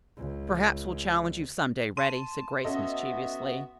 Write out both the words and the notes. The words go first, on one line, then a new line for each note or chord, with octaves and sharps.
"Perhaps we'll challenge you some day, Reddy," said Grace mischievously.
C#2
A5 C6 D#7
B3 C#4 F#4 A4 D#5 E5